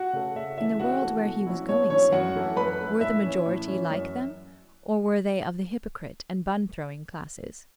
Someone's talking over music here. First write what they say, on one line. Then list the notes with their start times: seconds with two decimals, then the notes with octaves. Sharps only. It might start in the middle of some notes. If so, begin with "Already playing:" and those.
In the world where he was going soon, were the majority like them, or were they of the hypocrite and bun-throwing classes?
Already playing: F#4 F#5
0.13 C#3 A3
0.36 C#3 E5
0.58 E3 A3 E5
0.79 C#3 F#4 F#5
1.02 E3 A3
1.24 B2
1.46 F#3 C#4 E4
1.68 B2 C#5
1.90 F#3 C#4 E4 C#5
2.12 F#2 F#4 F#5
2.36 E3 A3 E4
2.56 F#2 B4 B5
2.79 E3 A3 E4
3.01 A2 E5
3.23 E3 C#4
3.46 A2
3.68 E3 C#4
3.91 F#2